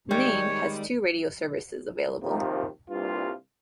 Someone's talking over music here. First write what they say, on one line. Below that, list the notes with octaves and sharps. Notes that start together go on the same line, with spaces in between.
Nain has two radio services available.
D#3 G3 G#3 C#5
D#2 C3 D#3 F3 A#3
C2 G2 A#2 F4